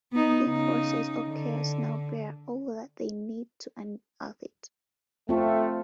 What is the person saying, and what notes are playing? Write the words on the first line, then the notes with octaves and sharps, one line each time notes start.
The forces of Chaos now bear all that they need to unearth it.
B3 D#4
C#3 D#4
D3
A3 C4 F4